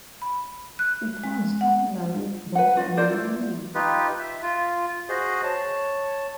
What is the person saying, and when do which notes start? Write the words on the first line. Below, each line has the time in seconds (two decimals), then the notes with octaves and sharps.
It was popular with both men and women.
0.22 B5
0.79 F#6
1.23 G#3
1.61 F#5
2.55 B4 F#5
2.77 F4 C#5 D#5 F5
2.97 F4 A#4 C5 D5
3.10 E4 F4
3.75 D#4 F4 G4 B4
4.20 E5
4.42 F4
5.09 F#4 G#4 C5 D#5
5.44 C#5 A5